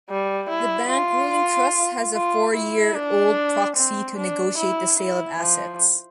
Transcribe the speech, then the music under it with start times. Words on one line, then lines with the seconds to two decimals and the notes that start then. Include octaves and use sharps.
The Bank Ruling Trust has a four-year-old proxy to negotiate the sale of assets.
0.09 G3
0.50 E4
0.90 F4
2.13 F4
2.54 E4
2.94 D4
3.77 C4
4.18 D4
4.58 E4
4.99 E4
5.40 F3